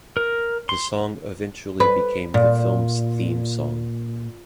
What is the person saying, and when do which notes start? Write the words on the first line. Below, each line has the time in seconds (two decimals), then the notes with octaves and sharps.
The song eventually became the film's theme song.
0.17 A#4
0.69 C6
1.80 B4
2.34 A#2